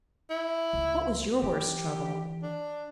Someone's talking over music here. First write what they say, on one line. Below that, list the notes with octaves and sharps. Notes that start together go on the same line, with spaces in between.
"What was your worst trouble?"
E4
C#2
E3 G4
D4